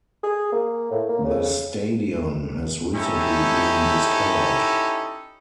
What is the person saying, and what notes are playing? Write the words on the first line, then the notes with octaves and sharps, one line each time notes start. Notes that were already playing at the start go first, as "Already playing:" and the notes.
The stadion has recently been discovered.
G#4
A#3
A2
A#3
C#3
C#4 D#4 E4 G4 A4